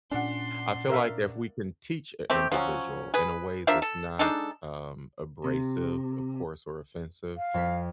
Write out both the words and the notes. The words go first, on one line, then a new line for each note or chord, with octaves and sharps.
I feel like if we can teach a individual in a way that's not, um, abrasive- of course- or offensive,
A#2 C#4 D4 F#5 C6
A#4 E5 F5
A3 C4 G4
F3 F#3 C#4
G#4 B4
F3 D4 A#4 E5
A4
G#3 D4 D#4 A4
C3
F5
F2 A4 B6